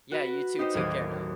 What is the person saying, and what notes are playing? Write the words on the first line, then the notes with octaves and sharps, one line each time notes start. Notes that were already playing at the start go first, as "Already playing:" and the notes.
Yeah, you too, take care now.
F#4 B4
D#4 G4 C5 D#5
A1 D#2 F#3 A#4 G#6 D#7